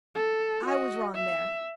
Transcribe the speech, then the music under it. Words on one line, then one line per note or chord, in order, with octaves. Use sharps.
I was wrong there.
A4
F#4 D#5
E5